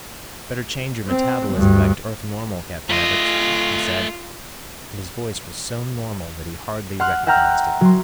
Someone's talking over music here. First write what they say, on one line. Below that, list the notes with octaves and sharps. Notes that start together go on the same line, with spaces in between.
"Better change your metabolism back to Earth-normal, Captain Everts," he said, and his voice was so normal that he hardly recognized it.
C4
D2 G2
A3 F4 D#5
F#5 C6 F6 F#6
E5 F#5 G5 A#5 F6 F#6
F#3 C6